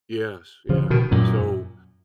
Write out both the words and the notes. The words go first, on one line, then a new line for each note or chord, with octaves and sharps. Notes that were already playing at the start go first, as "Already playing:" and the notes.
Yes, yeah, so,
C#3 F3
B2 D#3
F#2 A#2